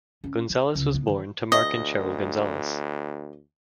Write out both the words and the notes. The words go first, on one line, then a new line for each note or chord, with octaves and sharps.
Gonzales was born to Mark and Cheryl Gonzales.
C#4
D#4
C#2
B3
D#3
D2 D#5